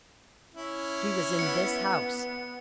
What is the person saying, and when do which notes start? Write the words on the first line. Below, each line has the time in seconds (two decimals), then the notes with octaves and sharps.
She was in this house.
0.54 C#4 E4
1.39 B3 C#7